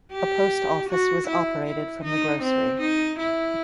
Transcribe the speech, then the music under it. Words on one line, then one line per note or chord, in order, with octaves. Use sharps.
A post office was operated from the grocery.
G4
F#4
E4
E4
D#4
C4
D#4
E4